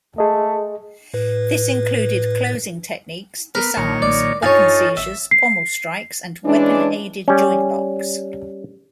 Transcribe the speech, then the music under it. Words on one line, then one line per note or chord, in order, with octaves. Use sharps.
This included closing techniques, disarms, weapon-seizures, pommel-strikes, and weapon-aided joint-locks.
A3 G#4 D#5
A2 B4
B3 A#4
B1 A#2 D#3 C#5
B1 D5
G2 D#4 F4 A4 C#5 G#5
A1 E5
C7
E3 G#3 C#4 D4
G3 C#4